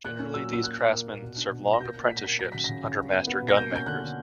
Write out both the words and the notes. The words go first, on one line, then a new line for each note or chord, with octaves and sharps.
Generally, these craftsmen serve long apprenticeships under master gunmakers.
A#2 F#6
C#4
F#3 E6
A#2 E6
A#2 F#6
A#2
A#3
A#2
B2
D4
B2
B2
A#6
A#3 G6
A#2
A#2 B6
A#6
A#3 B6
F#3 A#6
C#3 B6
C#3 A#6
C#3
F#3
B3
B3
B2
A#6
A#3 G6
C#4 G6
D3 F#6
D3